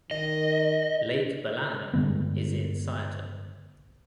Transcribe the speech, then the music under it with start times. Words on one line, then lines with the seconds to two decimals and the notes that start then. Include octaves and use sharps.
Lake Balanan is in Siaton.
0.11 D#3 D#5
1.94 G2 D3 G#3 B3